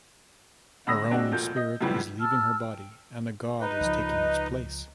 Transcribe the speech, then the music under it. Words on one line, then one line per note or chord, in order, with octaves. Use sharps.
Her own spirit is leaving her body and a god is taking its place.
D3 G#3 B5 D#6 E6 A#6
G#3 C4 D4 F#4
F1 A#2 G6
D#5
F#2 A2 C#3 E3 F3 G3
F#4 A5 E6 F6
G5
D#4 B4 D#5
C#2 F3